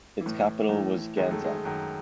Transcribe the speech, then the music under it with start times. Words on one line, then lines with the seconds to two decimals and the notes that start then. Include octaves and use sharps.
Its capital was Ganzak.
0.21 E3
0.26 A2
0.69 A2 E3
1.17 F#2 D#3 G#3
1.31 A3
1.44 G#3
1.65 F#2 D#3